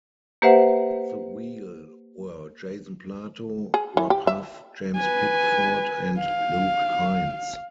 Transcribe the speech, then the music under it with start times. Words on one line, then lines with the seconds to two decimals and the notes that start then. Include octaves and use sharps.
At the wheel were Jason Plato, Rob Huff, James Pickford and Luke Hines.
0.42 A#3 G4 B4 C5 E5 F#5
3.74 G#4
3.97 E3
4.10 G4
4.27 E5
4.97 B4 G#5
6.19 F5